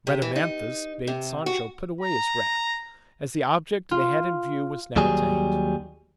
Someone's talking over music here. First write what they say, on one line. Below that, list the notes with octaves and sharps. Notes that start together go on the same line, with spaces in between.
Rhadamanthus bade Sancho put away his wrath, as the object they had in view was now attained.
C3
E3
D#4
C3
F#4
A#5
F4
D#2 F#3 G3 G#4